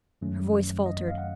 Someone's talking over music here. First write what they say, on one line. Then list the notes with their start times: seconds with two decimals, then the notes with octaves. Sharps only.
Her voice faltered.
0.21 F#2 D#3 F#3 A3 C#4
0.86 D#5
1.08 F5
1.18 F#5